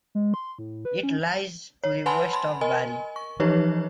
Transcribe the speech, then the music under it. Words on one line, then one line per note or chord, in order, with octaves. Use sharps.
It lies to the west of Bari.
G#3
C6
A2
B4
C#4
C#5
B4 F#5 G#5 A5 B5 C6
B5 C6
A#4 D#5 G#5
C#6
E3 F3 D#4 G4 B4 C#5